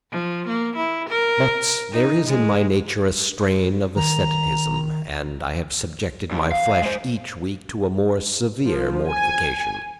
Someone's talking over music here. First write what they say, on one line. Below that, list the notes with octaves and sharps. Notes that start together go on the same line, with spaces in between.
But there is in my nature a strain of asceticism, and I have subjected my flesh each week to a more severe mortification.
F3
A#3
E4
A#4
D#4
G#3
D#3 A#5
D#2
F5
G#3 C5
F3
G#5